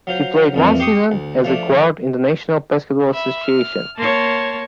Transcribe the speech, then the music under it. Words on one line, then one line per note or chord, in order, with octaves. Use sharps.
He played one season as a guard in the National Basketball Association.
F#3 F4 C5
F2 A#2 E3
G4 C6 C#6 D#6
D2
F3 A3 D4
E5 B5
F6
A#3 C#5 A5 C6